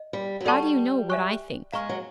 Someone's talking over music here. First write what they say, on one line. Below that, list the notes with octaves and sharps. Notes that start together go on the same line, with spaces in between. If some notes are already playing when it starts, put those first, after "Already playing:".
'How do you know what I think?'
Already playing: D#5
G3
F#3
G3 A4 D5 F#5 A5 C#6
E5 G#5 C#6 F#6
G#3 F5 A#5 C#6 F6
F#3